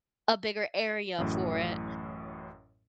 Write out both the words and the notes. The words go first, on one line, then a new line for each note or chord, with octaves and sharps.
a bigger area for it,
A1 F#2 A2